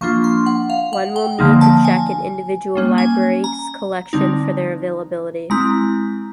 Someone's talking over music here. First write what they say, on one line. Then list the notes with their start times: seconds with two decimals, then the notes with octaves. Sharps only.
One will need to check an individual library's collection for their availability.
0.01 F3 A#3 D4 F4 C#6
0.24 C6
0.46 F#5
0.70 F5
0.93 F#5
1.16 G5
1.39 D3 F3 A#3 D#4
1.61 A5
1.85 G#5
2.75 G3 A#3 C#4
2.98 G#5
3.44 A#5
4.13 D3 G3 C4 D#4
5.50 G#3 C4 E4 A#5